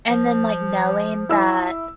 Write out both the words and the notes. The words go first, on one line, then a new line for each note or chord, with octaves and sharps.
And then, like, knowing that
F3
E4 E6